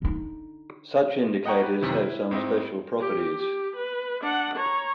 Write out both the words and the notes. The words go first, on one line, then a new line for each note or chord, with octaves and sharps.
Such indicators have some special properties.
D3 D#4
D#5 F#5 G5 A#5 C#6
G4 B4
F#2 C3 D#3 E3
E4
G#2 C4 E4 D#5
G4
G4
B4
D4 F#5
C#5 A#5